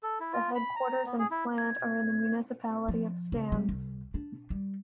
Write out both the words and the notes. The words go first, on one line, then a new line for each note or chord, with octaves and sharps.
The headquarters and plant are in the municipality of Stans.
A4
E4
F4
B5
A#5
B3
G#4
E4
G#6
F3
C#3
G3
C2
D4
G3